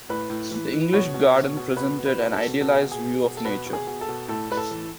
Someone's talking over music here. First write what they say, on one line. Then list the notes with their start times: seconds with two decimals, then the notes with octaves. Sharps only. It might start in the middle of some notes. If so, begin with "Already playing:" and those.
The English garden presented an idealized view of nature.
0.09 A2 B4
0.30 A2
0.51 E3
0.72 E3
0.93 B2 C#5
1.14 B2
1.35 B2
1.57 B2
1.77 B2 B4
1.99 B2
2.05 B4
2.19 B2
2.33 A4
2.41 B2
2.61 B2 A4
2.71 G#4
2.82 B2
2.92 G#4
3.04 B2
3.24 B2
3.37 A4
3.45 B2 B4
3.66 B2
3.73 G#4
3.87 B2
4.01 A4
4.08 B2
4.28 A2 A4
4.50 A2 B4
4.57 A4
4.71 E3